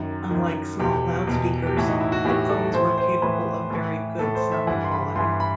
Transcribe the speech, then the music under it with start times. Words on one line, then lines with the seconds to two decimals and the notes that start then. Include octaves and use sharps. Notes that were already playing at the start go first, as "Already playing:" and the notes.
Unlike small loudspeakers, headphones were capable of very good sound quality.
Already playing: F#2 D#3
0.31 F#2 D#3
0.79 E2 B2 G4
1.27 E2 B2
1.66 G4
1.76 A2 E3 F#4
1.89 D#4
2.01 E4
2.12 F#4
2.25 A2 E3 G4
2.49 A4
2.73 A2 E3 C5
2.98 C5
3.22 A2 E3 B4
3.70 A2 E3
4.19 A2 E3 A4
4.35 C5
4.52 E5
4.67 G2 E3 F#5
4.84 C6
4.91 B5
5.15 G2 E3 C6
5.40 B5